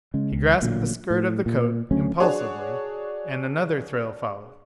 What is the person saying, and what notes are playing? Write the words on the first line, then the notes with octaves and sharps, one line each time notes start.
He grasped the skirt of the coat impulsively and another thrill followed.
C#3 G#3
C#2
A1 A#2 D3 F#3
A2
A#2
D2 F#3 A3 C#4
D4 F#4 G#4 C#5